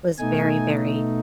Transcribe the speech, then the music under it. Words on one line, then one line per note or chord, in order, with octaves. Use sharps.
was very, very
B2 A3 D#4 G#5